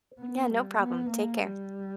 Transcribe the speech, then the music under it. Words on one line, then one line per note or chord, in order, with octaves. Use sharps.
Yeah, no problem, take care.
B3
G3
B3
A#3
G3